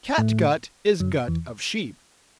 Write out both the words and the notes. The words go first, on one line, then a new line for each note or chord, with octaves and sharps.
Catgut is gut of sheep.
A2 A3
F#2 F#3
E2 E3